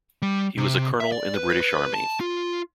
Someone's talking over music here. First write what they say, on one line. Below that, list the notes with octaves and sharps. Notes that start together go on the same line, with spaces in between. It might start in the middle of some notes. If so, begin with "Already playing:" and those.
He was a Colonel in the British Army.
G3
C3
E5
D5
B4
B4
A5
F4